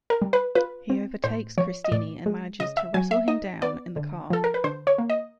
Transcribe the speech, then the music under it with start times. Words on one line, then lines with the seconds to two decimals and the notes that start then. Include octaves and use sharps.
He overtakes Christini and manages to wrestle him down in the car.
0.10 A#4
0.22 G3
0.33 B4
0.55 F4 B4
0.90 C4
1.24 A2 C5
1.58 F3 C#5
1.84 D#5
1.92 A2 D5
2.26 G#3
2.60 C#3 D#5
2.77 E5
2.94 F#3 G#5
3.11 E5
3.28 D#4 D#5
3.62 B3 D5
3.96 D3
4.30 F3 A4
4.44 A#4
4.54 B4
4.64 D3 C5
4.87 C#5
4.98 A#3
5.10 D#5